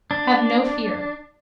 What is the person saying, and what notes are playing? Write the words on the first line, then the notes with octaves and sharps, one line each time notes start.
Have no fear.
D4